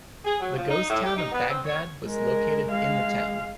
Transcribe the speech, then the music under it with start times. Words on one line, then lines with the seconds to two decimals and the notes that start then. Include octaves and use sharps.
The ghost town of Bagdad was located in the town.
0.24 G#4
0.40 F#3
0.55 F3
0.69 D#4
0.89 A2
1.04 G4
1.16 D#4
1.31 B3
1.47 C4
1.65 C#5
2.06 G#3 A#4
2.71 G#3 F5